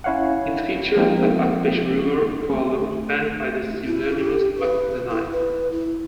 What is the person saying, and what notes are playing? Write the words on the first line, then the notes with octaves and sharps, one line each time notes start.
It featured a back-page rumor column penned by the pseudonymous Mac the Knife.
C#4 E4 C#5 F5 F#5
F3 G#3 A#3 C4 D#4 F4
A3 A#3 C#4
E4
G4
B4
E4
B4
E4